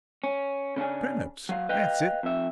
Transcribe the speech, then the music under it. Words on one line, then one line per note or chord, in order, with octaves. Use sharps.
Turnips! that's it!
C#4
C#3 C#4 D4 G#5
F#3 F5
B4 D#5 F5 G5
F2 E5